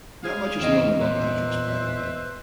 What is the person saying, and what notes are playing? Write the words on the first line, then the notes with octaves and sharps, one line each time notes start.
Not much is known about Patrick's private life.
G#4 F5
E2 D#3 C4 D#5
A#2 B4 C5 E5